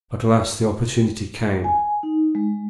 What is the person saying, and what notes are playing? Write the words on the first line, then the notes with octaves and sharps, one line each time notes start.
At last the opportunity came.
G#5
D#4
G#3